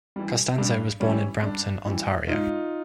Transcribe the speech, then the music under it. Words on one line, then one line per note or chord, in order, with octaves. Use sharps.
Costanzo was born in Brampton, Ontario.
E3 G3
G2 D4
E3 G3 C#4
G2 D4
E3 G3
G#2 D#4 F4